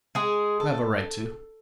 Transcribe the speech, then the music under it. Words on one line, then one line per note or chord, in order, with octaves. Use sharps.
You have a right to.
G#3 G#4
A4